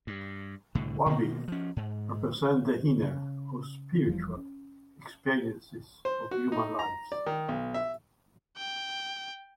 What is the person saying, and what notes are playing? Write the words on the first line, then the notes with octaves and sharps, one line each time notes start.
"Wabi" represents the inner, or spiritual, experiences of human lives.
G2
C2 A2 D3
B2 D#3 G#3 A#3
F3 C#4
G#2
C#3
F1 E3 F3 G3
C#4
C5
F#4
D#4
A#5
D5
D#3
B1
E5
G5